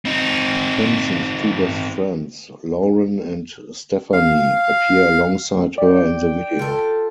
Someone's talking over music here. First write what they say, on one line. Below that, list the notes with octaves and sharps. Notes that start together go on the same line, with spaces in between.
Simpson's two best friends, Lauren and Stephanie, appear alongside her in the video.
C4 D#4
F5
D5 G5
F4 A4